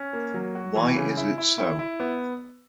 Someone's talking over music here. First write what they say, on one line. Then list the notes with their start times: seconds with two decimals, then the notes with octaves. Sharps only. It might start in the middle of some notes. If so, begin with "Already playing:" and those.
Why is it so?
Already playing: C#4
0.13 A#3
0.34 F#3
0.55 F#4
0.76 E3
0.96 C#3
1.17 E4
1.38 E4
1.58 E4
1.79 E4
2.00 B3